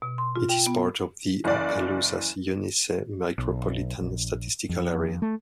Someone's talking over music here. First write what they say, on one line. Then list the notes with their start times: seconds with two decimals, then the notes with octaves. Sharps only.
It is part of the Opelousas-Eunice Micropolitan Statistical Area.
0.02 B2
0.18 C6
0.36 F4
0.49 G5
0.66 B3
1.44 F#1 E3 D5
3.38 B1
4.01 A#1
4.69 F2
5.22 A3